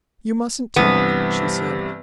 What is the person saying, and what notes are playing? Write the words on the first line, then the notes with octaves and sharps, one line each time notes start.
"You mustn't talk," she said.
G2 C3 E3 B3